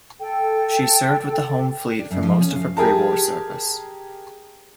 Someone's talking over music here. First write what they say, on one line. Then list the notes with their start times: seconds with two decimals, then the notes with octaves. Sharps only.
She served with the Home Fleet for most of her pre-war service.
0.20 A4 G5
1.99 D4
2.11 F#2
2.23 F3
2.41 C#4
2.56 F5
2.77 G4 G#4 A#4 A5